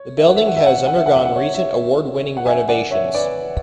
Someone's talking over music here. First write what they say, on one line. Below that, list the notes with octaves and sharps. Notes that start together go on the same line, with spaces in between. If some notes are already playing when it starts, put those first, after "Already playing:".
The building has undergone recent award-winning renovations.
Already playing: C#5
E5
F#5
E5
F#5
E5
F#5
E5
F#5
E5
F#5
E5
F#5
C#5 E5
C#5 E5
F#5
E5 G#5
D5 F#5
C#5 E5
B4 D5